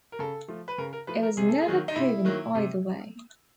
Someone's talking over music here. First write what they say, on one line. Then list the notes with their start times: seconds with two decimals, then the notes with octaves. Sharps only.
It was never proven either way.
0.12 A#4
0.19 C#3 A4
0.48 F3 A3
0.68 B4
0.78 C#3 A#4
0.93 A#4
1.07 F3 A3 B4
1.23 A#4
1.37 C3 G#4
1.49 A4
1.61 G#4
1.66 D#3 F#3 A#3
1.88 D#4
1.95 C3 E4
2.25 D#3 F#3 A#3
2.55 C3